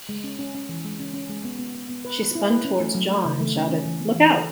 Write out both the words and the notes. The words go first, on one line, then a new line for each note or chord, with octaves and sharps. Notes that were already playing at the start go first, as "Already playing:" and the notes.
She spun towards John and shouted, "Look Out!"
G#3
C#4
C#4
C#4
E3
G#3
C#4
C#4
G#3
B3
B3
B3
B3
B4
B3
E4
B4
C#4
A3
F#3
A3
C#3
A3
C#4
C#4
E3
B3
E3
A4